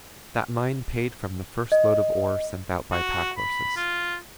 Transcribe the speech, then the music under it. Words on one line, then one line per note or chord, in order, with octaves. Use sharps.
That mine paid from the first load of ore sent out by pack-horses.'
D#5
F#4
B5
F4